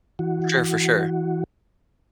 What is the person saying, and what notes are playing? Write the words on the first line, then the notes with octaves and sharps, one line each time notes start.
For sure, for sure.
E3 F#4